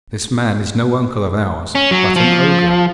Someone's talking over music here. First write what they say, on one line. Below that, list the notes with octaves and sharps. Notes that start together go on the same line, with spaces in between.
This man is no uncle of ours, but an ogre.'
C#4
F#3
F3